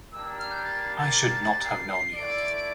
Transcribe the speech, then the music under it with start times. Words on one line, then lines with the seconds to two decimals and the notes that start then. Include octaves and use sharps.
I should not have known you.
0.12 G3 A#3 D4 G4 A#4 E6
0.26 E6
0.38 F6
0.50 G6
0.64 A6
1.64 C7
1.90 C7
2.15 A3 E4 A4 D5 D7
2.56 D7